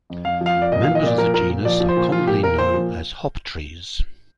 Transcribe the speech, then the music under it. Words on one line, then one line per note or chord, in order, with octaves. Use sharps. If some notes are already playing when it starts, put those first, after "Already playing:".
Members of the genus are commonly known as hoptrees.
F2
F2 F5
F3
F5
F2
D5
A#2 D#5
F5
F3
D#5
A#2 D5
F3 A#4
A#2 A#4
A#2
F3 D5
F3
C5
A#2
F3 F4
A#2 G4
A#2 A#4
A#2 C5
F3